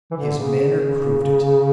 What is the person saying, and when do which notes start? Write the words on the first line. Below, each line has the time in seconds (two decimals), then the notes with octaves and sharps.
His manner proved it.
0.11 E3
0.16 D3
0.38 C#3